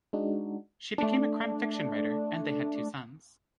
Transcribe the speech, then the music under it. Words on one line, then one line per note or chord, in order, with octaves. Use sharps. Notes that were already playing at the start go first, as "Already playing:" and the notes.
She became a crime-fiction writer and they had two sons.
G#3 D4 D#4 F#4
A3 D4